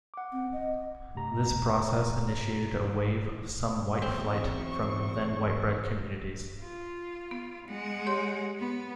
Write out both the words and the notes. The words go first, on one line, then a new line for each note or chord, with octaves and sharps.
This process initiated a wave of some "white flight" from then white-bread communities.
F#5 D6
C4
D#5
G2 C3 A3 G4 A#5
E2 F#3 C4 C5 C#6
F4
B3
G#3 F#5
G4 C#5 C6
B3